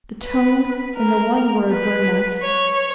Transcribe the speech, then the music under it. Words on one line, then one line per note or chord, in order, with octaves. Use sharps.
The tone and the one word were enough.
B4
A#4
B4
C#5